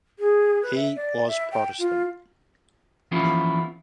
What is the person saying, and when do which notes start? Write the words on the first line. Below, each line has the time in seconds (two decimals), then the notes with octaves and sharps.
He was Protestant.
0.19 G#4
0.62 B4
0.75 E5
0.96 D5
1.27 E5
1.52 G5
1.79 F4
3.11 E3 F3 B3 C#4 E4 F4